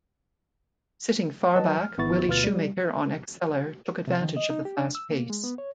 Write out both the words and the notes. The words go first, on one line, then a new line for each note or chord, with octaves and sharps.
Sitting far back, Willie Shoemaker on Exceller took advantage of the fast pace.
F#3 B4 D#5 A5
F6
G#1 B3 E4 C#6 A6
D2 B2 F4 B4 F6 A6
G3
C3
D#3
D#5
D#4
G4
D4
E6
A#3
G#3
B3
C#5